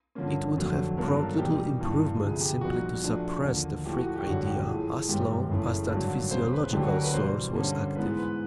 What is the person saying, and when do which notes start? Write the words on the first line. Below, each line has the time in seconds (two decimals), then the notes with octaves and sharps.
It would have brought little improvement simply to suppress the freak idea as long as that physiological source was active.
0.15 G2 D3 F3 A#3 C#4
0.56 F1 F2 D3 F#3 A3
0.97 G2 D#3 F#3 B3 A#4
1.18 A4
1.38 E2 B2 G3 A#3 D#4 G4
1.80 G1 G2 E3
2.20 D2 C3 F3 G#4
2.41 G4
2.61 A#1 A#2 G3 B3 D#4 F#4
3.03 A#1 A#2 F3 A3 D4
3.44 D#2 D3 F3 A#3
3.84 A2 F3 A3 G4
3.95 F#4
4.06 F#4
4.15 G4
4.26 F#1 F#2 D3 G3 F#4
4.47 G4
4.68 A2 F3 A3 G#4
4.88 G#4
5.08 G1 F#2 D#3 G#3 G4
5.50 F#1 F#2 C#3 E3 A3
5.90 G#1 G2 D3 F#3 A#3
6.31 E1 E2 C#3 C5
6.53 B4
6.73 D2 D3 F#3 A3 D4 G4
6.83 F#4
6.93 A#4
7.03 B4
7.14 E2 B2 G3 C5
7.55 G2 D3 G3 A#3 C#4
7.95 G#2 E3 G#3 B3 B4
8.17 B4